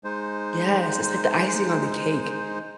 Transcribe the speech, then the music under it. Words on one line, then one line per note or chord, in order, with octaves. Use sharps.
Yes, it's like the icing on the cake
G#3 D#4 C5